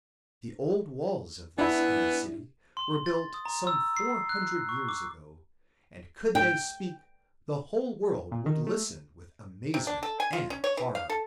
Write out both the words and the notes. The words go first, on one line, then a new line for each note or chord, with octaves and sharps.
The old walls of this inner city were built some four hundred years ago and could they speak, the whole world would listen with amazement and horror.
E3 B3 D4 E4
C6
A6
D#6
A#5
E6
C7
F#6
C#6
D6
G5
A#2
D#3
A3
C3
D4
A4
G#5
F4
C#4
C#5
E3
F5
A4